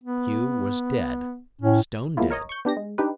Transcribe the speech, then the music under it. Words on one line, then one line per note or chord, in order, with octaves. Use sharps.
Pew was dead, stone dead.
B3
A2 C#4
F3 G#3 A#3 B3 E4 F4
A#4 C#5 D#5
C#6 G6
B3 D4 G4 A#6
G#3
D4 D#4 G4 B4